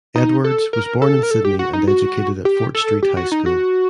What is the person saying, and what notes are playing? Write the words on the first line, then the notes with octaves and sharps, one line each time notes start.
Edwardes was born in Sydney and educated at Fort Street High School.
D#4
A4
A#4
A4
A#4
A4
G4
F#4
D#4
F#4
G4
A4
G4
F#4
D#4
F#4